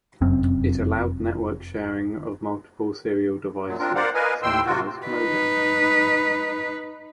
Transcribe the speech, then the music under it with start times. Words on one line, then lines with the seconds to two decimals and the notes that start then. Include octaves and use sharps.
It allowed network sharing of multiple serial devices, such as modems.
0.21 F1 F#2 C4
3.66 F#2 A#2 F#3
3.79 C4 D4 F4 A#4
3.95 A#4 C5 D5 F5 F#5
4.14 A#4 B4 D#5 F5 G#5
4.43 D#2 A2 G5 C6 E6
4.66 C3 F4 F#4
5.07 D#4 B4